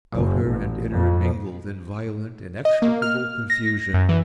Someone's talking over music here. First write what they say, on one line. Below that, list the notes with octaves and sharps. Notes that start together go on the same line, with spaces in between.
Outer and inner mingled in violent, inextricable confusion.
F#1
A1
F2
D#5
A#3
F6
A#6
F#2
E3